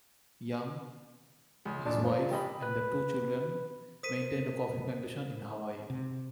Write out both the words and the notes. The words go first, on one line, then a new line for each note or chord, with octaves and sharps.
Young, his wife and their two children maintained a coffee plantation in Hawaii.
C#2 D#6
G#1 D4
F3
G#1 G4 D#5 B5
B4
A#4 C5 D#6 B6 D#7
C3